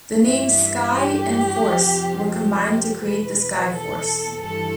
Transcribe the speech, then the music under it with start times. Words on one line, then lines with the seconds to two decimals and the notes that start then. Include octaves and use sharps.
The names "Sky" and "Force" were combined to create the "Skyforce".
0.23 G2 E3 E5
0.93 G4
1.63 F2 C3 F3
2.32 G4
2.67 G4
3.01 E2 B2 B4
3.71 A4
4.41 G2 E3 A4